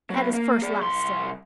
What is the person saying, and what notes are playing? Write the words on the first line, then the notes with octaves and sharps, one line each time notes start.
He had his first laugh still.
F#3 B3
A#3
G#4 D5
C2 C6